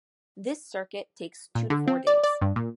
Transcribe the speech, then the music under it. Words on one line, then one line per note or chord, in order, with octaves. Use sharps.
This circuit takes two to four days.
A#2
D3
C4
D5
D5
G2
A#2